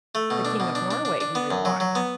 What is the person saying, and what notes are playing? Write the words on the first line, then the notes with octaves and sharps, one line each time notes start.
'The King of Norway,' he replied.
A3
B2
D4
B2
D4
D4
D4
D4
B3
F#2
F#3
F#3
B3